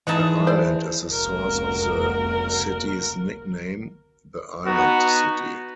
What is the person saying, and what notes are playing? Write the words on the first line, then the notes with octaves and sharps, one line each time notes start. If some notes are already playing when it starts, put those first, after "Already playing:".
The island is the source of the city's nickname, The Island City.
E3 D#4 G#4 D#5 A5
C5 D5
F1 C#2 A#3 F#4 A#4
B3 D#4 F#4